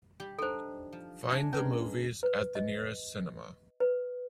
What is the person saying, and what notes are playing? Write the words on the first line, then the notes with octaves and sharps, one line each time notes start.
Find the movies at the nearest cinema.
G3 G4
D4 D#4 A4 C5
F3
C#4 D4 E5 G#5
G#3 C#4 A#4 B4
B4
D#5
B4